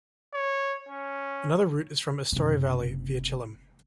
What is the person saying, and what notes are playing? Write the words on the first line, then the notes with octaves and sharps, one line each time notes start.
Another route is from Astore valley via Chilim.
C#5
C#4
F#1 C3